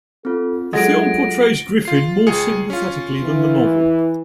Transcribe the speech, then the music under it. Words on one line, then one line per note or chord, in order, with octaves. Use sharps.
The film portrays Griffin more sympathetically than the novel.
C4 F4 A4
F#3 G#3 F4 A4 F#5 A6 A#6 D7
F#3
F4 C7
C#2 G#4 C#7
C#4 F4
E3